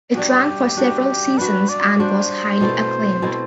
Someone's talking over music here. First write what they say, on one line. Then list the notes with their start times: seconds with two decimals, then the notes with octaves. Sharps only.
It ran for several seasons and was highly acclaimed.
0.15 G3 D4 F#4 G4
0.77 G3 D4 F#4
1.38 G3 D4 F#4 B4
1.69 D5
1.99 G3 D4 F#4 C5
2.61 B2 A3 C4 E4
3.22 B2 A3 C4 E4